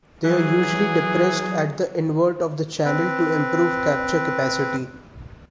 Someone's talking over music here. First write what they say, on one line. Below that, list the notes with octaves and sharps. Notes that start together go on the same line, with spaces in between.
They are usually depressed at the invert of the channel to improve capture capacity.
E3 F#3 G#4
C4 B4